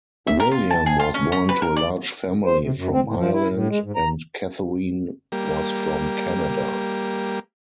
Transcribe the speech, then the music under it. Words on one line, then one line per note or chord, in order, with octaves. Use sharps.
William was born to a large family from Ireland and Katherine was from Canada.
E5
A#4
F4
A5
G#4
F4
C#4
C#4
B4
A#4
D5
C5
C3
F#2
C4
A2
F3
E4
A2
G#3
G#2
A#5
G3 A#3